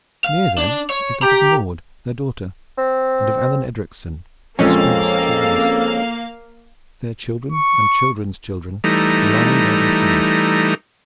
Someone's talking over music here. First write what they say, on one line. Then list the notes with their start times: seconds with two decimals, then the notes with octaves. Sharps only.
Near them is that of Maude their daughter, and of Alleyne Edricson, whose spouse she was; their children and children's children are lying by their side.
0.24 F5
0.58 D4
0.90 C#5
1.22 G4 A#5
2.78 C4
4.59 A#1 F2 G#3 A#3 C4 C#4 A4 F5
7.52 C#6
8.84 E3 G3 A3 D#4 A#5